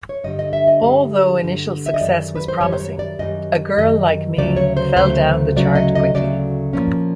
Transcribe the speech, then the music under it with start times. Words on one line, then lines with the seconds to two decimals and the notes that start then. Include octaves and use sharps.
Although initial success was promising, "A Girl Like Me" fell down the chart quickly.
0.09 C#5
0.24 G2 D3 G3 D#5
0.39 D#5
0.53 E5
0.68 D#5
0.83 G2 D3 G3
1.42 G2 D3 G3
1.86 E5
1.94 D#5
2.01 F#2 D#3 G3 D5
2.36 B4
2.48 C5
2.60 F#2 D#3 G3 C#5
2.73 C5
2.80 C#5
2.99 D5
3.19 F#2 D#3 G3 D#5
3.78 F#2 D#3 G3 D#5
4.37 D2 C#3 F#3 A3 D5
4.57 C#5
4.77 C5
4.96 D2 C#3 F#3 A3 C5
5.56 D2 C#3 F#3 A3 D5
5.75 D#5
5.95 D#5
6.14 D2 C#3 F#3 A3 D5
6.73 A#2 F3 A#3 C#4